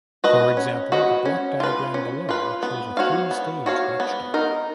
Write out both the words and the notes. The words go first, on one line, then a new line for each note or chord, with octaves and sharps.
For example, the block diagram below shows a three-stage watchdog.
F#4 B4 D#5
C#4
F#4 B4 D#5
C#4
F4 B4
C#4
F4 B4
B3
F#4 C#5 F5
B3
F#4 C#5 F5
B3
D#4 A#4